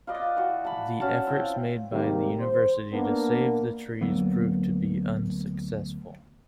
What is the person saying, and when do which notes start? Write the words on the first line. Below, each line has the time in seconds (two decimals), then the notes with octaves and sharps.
The efforts made by the university to save the trees proved to be unsuccessful.
0.07 F4 B4 D5 D#5
0.36 E3 F#4
0.65 A5 B5
1.00 C#4 F#4 A5
1.27 C4 E4 F4 G5
1.91 G#2 C3 D#3 G3 A#3 G4
2.39 C5
2.92 A#3 B3 D4
4.01 D2 F#3 A#3 B3